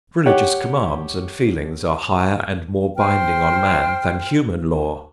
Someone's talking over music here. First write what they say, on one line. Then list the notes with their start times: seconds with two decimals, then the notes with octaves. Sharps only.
Religious commands and feelings, are higher and more binding on man than human law.
0.26 G4 C#5 F#5
2.97 C5 G5 F6